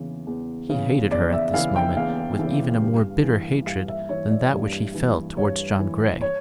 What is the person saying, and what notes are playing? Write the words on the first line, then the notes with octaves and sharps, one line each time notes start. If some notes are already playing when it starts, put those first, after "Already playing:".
He hated her at this moment with even a more bitter hatred than that which he felt towards John Grey.
Already playing: E2 C#3 E3
E2
C#3 E3
E2 D5
E5
C#3 E3 F5
G5
E2 F5
C#3 E3
G2
E3
G2 F5
E5
E3 C#5
D5
G2
E3
G2 C#5
E3
C#5